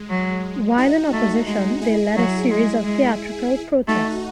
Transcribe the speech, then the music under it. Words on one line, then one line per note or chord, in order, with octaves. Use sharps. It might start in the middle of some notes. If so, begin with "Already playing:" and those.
While in opposition they led a series of theatrical protests.
Already playing: G#3
F#3
D#4 F#4
A3
G#3 D#4 F#4
E4 G#4
F#3
G#3
G#3
A3 D#4 F#4